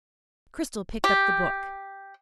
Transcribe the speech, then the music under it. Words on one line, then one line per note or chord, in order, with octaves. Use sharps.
Cristel picked up the book.
G4